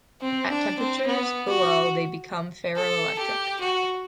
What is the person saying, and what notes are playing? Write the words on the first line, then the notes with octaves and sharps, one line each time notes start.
At temperatures below they become ferroelectric.
C4
D4
C4
B3
F#4
A4
G4
F#4